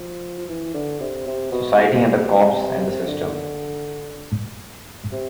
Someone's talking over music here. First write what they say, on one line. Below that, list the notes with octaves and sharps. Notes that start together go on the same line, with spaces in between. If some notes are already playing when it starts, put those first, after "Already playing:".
Society, and the cops, and the system!
Already playing: F3
F3
E3
D3
C3
C3
B2
C3
D3
C3